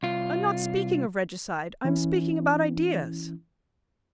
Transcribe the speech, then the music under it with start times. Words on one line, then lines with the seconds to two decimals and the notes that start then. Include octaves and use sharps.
"I am not speaking of regicide, I am speaking about ideas."
0.03 C2 F4
1.84 E3 C#4 E4